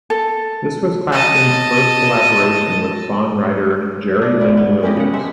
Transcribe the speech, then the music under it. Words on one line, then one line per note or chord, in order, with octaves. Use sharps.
This was Clapton's first collaboration with songwriter Jerry Lynn Williams.
A4
D#5 A5
D4
E4 D5
B3
C#4 E4 G4 D#5
C#3 F#5
G#3 A4 E5